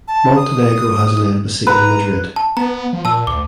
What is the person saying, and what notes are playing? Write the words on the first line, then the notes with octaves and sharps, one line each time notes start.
Montenegro has an embassy in Madrid.
A5
D#6
B4 A#5
A5
B3 A#5
F3
A#2 A5 E6
D2 D6